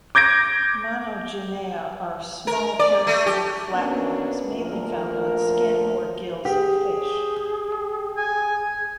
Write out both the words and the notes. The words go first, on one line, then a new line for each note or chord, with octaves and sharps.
Monogenea are small parasitic flatworms mainly found on skin or gills of fish.
D6 G6 G#6 A#6 D7
A#4
D5
A3
G4
A#3 B3 C#4 D4 F#4
D2 A#2 F3 A#4
G4 G#4
G#5